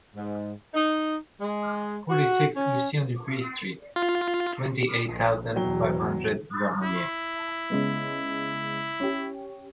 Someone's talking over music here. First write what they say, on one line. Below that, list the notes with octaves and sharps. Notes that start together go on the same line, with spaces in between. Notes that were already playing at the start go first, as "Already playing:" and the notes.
Forty-six Lucien Dupuis Street, twenty-eight thousand five hundred Vernouillet.
G#2
D#4
G#3
F#4
C#4
F4
A#1
E2 B2 F#3 G5 G7
E4
C#3 G#3 B3
C#4 G4